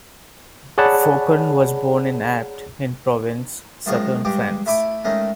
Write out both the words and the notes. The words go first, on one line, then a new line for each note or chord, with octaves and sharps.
Faucon was born in Apt, in Provence, southern France.
G#4 C#5 D5 F#5 A5 B5
F#2 D#3 F3 G#3 C#6
G2 G#3 G4 D6
A3 E4 B5 D6
D#3 G#3 A3 C#4 D#4